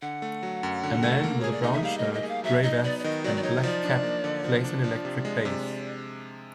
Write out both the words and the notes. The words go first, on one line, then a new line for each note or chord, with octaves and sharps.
A man with a brown shirt, gray vest and black cap plays an electric bass.
D3 F#5
A3
F#3
F#2
D3
A3
A#3
G#4 C#5
D5
D#4 D#5
E5
G3 F5
D#5
A#3
D#5
G#4
F5
F#3 E5
D#4 D#5
B3 D5
D5
D#3 D#5
F#3 D5
D5
D#4 C#5
F3 D5
D4
A#3
D3
F3
D4
F3 D5
C3
G#3
C3